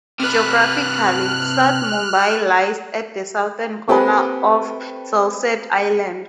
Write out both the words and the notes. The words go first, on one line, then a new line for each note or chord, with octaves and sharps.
Geographically, South Mumbai lies at the southern corner of Salsette Island.
C3 B4 F6 F#6
A#3 C4 G4 A4 B4